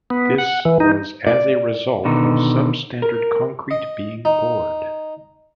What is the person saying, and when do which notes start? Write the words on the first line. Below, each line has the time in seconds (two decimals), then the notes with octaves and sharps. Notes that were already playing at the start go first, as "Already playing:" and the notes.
This was as a result of sub-standard concrete being poured.
0.10 B3
0.38 F#5
0.65 E3
0.80 D#4
1.27 D5
2.05 B2 D3 D#3 D#4
3.02 A#4
3.71 D#5
4.25 D#4